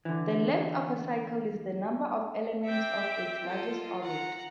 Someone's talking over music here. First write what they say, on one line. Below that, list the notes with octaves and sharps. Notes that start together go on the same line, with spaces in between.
The "length" of a cycle is the number of elements of its largest orbit.
D3 E3
C4 E5 G5 D6
F4 A4 D#5
F#5 A#5